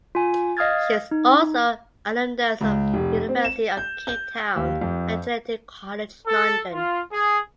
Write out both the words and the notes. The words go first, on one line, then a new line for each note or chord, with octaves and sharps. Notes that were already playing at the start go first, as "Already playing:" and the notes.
She is also an alumnus of University of Cape Town and Trinity College London.
F4 G#5
D#5 F5 D#6 F6 G#6 A6
D#4
C#2
F1
C4
E7
G6
G6
D#2
F2
A4
F4
G#4